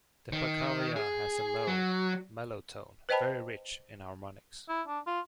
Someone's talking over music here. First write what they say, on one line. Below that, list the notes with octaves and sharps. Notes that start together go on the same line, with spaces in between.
The pakhavaja has a low, mellow tone, very rich in harmonics.
D#3
G#4
F#3
B4 C5 D#5 G5 A5 B5
E4
D4
F4